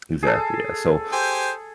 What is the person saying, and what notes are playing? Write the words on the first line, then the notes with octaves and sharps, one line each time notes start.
Exactly, yeah, so
G#4 A4
G4 C5 G#5